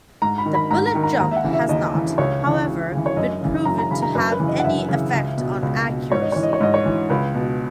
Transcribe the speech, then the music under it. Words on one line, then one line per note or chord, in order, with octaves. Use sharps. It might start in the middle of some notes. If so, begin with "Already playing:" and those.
The "bullet jump" has not, however, been proven to have any effect on accuracy.
G#2 A#5
B5
D#3
B5
G#2 A#5
A#5
D#3
A#5
D#2 A#5
E5
F#5
C#3 E3
E5
D#2 D#5
C#3 E3
C#2 C#5
C#3 E3
C#2
C#3 E3
C#5
F#2 D#5
C#3 E3
F#2 A#5
A#5
C#3 E3 B5
A#5
F#2 B4
B4
C#3 E3
D#5
F#5
F#2 E5
C#3 E3
C#2
B2
C#2
B2
G#2 C#5
D#5
E3 C#5
D#5
C#5
G#2 D#5
C#5
E3
C#2 B4
B2